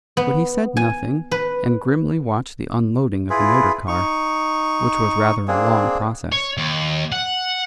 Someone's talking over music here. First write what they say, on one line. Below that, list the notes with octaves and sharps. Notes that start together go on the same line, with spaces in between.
But he said nothing and grimly watched the unloading of the motor-car, which was rather a long process.
B3
G#5
B4
E4 F4 G#4 B4
D#4 C#6
A#3 C4 D4 G#4
C#5
D#2
F#5